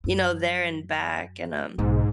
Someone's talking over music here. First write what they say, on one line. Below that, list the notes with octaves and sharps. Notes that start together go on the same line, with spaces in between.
you know, there and back, and, um,
F#2
B1 G#2 B2